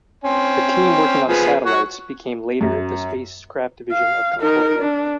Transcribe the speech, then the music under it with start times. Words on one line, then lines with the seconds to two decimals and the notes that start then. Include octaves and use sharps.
The team working on satellites became later the Spacecraft division of Space Concordia.
0.24 C4 C#4
1.29 F3 B3 G#4
1.66 C#5 F#5
2.61 F#2
3.92 F5
4.41 D#4 A#4
4.78 D4